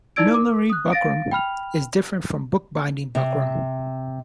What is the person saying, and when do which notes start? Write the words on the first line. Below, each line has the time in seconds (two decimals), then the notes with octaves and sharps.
Millinery buckram is different from bookbinding buckram.
0.16 D#4 E4 D5 E6 G#6 D7
0.34 A#4 D6
0.70 D#6 F#6
0.92 F5 A6 A#6 D7
1.31 G5 B5 F6 F7
3.15 C3